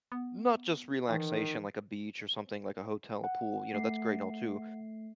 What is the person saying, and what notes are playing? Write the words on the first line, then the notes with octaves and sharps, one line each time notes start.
not just relaxation, like a beach or something, like a hotel, a pool, you know? That's great and all too,
B3
D#3 E3
F#5
A3 C7